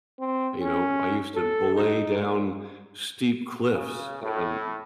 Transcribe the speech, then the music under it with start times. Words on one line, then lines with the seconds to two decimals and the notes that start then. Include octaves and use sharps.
You know? I used to belay down steep cliffs. And
0.20 C4
0.60 C#4
1.35 A4
1.75 D#4
2.19 A#2
3.71 C#3
4.21 A2